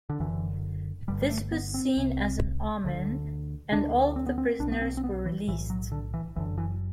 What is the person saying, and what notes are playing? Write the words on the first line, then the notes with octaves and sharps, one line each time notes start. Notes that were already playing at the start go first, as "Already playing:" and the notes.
This was seen as an omen and all the prisoners were released.
D3
F#1 F#2 D3 E3
G1 G2 D3 G3
G3
A3
B3
C4
C2 C3
D2 D3
D2 D3 D4
C4
B3
C4
B1 B2 D4
B3
C4
C4
B3
E3
B1 A2 E3
F#3
D3
E3
F#1 F#2 D3 E3
E3